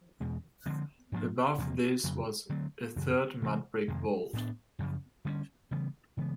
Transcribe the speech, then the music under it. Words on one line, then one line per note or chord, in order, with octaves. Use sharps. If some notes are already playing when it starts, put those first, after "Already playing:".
Above this was a third mudbrick vault.
E2 B2 G#3 C#4
D3 F3 G#3 C4
G#2 F3 A#3 D4
E2 C3 F3 A#3
F2 C#3 F#3
D3 F#3 A3 C4
F#2 C#3 E3
C3 E3 A3 C4
F2 C3 D#3 G#3
A2 F#3 B3 D4
F#2 C#3 F3
D3 G3 A#3 C#4
C#3 E3 G3 B3
C#3 E3 G#3 B3